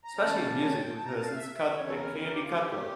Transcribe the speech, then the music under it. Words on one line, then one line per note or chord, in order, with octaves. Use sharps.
Especially in music because it's cut it can be cutthroat.
A#5
E2 C#3 G3 C#4 A5
A5
G5
A5
A#5
A5
F5
E5
E5
E2 C#3 E3 C#5
A4
A#4
A#4
G4
F4
G4